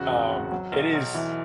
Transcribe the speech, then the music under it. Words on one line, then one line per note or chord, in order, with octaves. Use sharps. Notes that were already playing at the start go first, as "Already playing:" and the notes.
Um, it is
Already playing: E1 C#3 F#4 F#5
G#1
G#1
F#3
B1
B1
E3